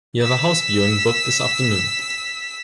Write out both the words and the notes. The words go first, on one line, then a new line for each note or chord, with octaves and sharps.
You have a house viewing booked this afternoon.
E6 B6